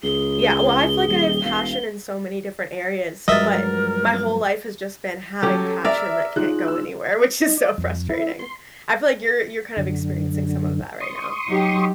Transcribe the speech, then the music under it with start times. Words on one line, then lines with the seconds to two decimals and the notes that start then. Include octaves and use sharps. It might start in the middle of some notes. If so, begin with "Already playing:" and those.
Yeah. Well, I feel like I have passion in so many different areas, but, my whole life has just been having passion that can't go anywhere, which is so frustrating. I feel like you're you're kind of experiencing some of that right now.
0.03 C#2 G#4 G7
1.08 D#1
1.43 E1 F5
3.28 G2 F3 F#3 G#3 A#4 D#5 E5 A6
5.43 F#3 C#4 G4 A4
5.85 A#4 D5 E5
6.36 D#4 F4 G#4 F#6
6.68 E6
7.41 D#4
7.58 D5
7.78 F2
8.10 E4
8.39 C6
9.77 F#2 D3
11.00 C6 C#6 D#6
11.47 F#3 D#4 G4